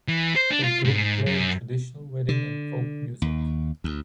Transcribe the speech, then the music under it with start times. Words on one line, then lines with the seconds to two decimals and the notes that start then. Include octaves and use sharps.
The group play traditional wedding and folk music.
0.08 E3
0.36 C5
0.50 D4
0.64 F4
0.85 G#2
1.26 F#2
2.29 D3
3.22 D#2
3.84 D2